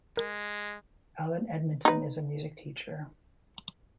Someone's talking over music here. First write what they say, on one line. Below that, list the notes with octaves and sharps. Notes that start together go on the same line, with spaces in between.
Alan Edmondson is a music teacher.
G#3 A#4
D#4 B4